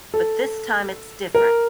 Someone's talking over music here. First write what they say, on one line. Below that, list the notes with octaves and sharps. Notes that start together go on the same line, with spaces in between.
But this time, it's different.
A4
A#4